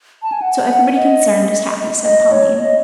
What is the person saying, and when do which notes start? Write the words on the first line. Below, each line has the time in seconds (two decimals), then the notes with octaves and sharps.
"So everybody concerned is happy," said Pauline.
0.23 A5
0.32 G#5
0.42 F#5
0.96 D#5
2.04 D#5
2.32 C#5
2.59 D#5